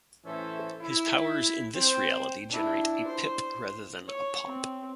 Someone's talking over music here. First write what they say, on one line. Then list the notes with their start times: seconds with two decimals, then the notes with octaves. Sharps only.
His powers in this reality generate a 'Pip' rather than a 'Pop'.
0.25 A2 E3 C#4 A4 C5 E5
0.81 E4
1.74 C4 C5 G5
2.50 D4 E4
3.07 C5
4.08 C#5
4.46 C4